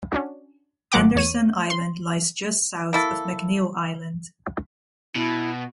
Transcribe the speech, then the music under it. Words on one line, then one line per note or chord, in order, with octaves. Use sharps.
Anderson Island lies just south of McNeil Island.
C#4 D4 F#4
G#1 F#3 A#3 F#5 D6
E2 C#5 D#7
C6
A#3 E4 A4
B2 E4